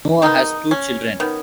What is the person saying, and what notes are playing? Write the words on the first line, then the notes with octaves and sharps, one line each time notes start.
Noah has two children.
D#3 G#3 B3 D#4
C#4
D#3 B3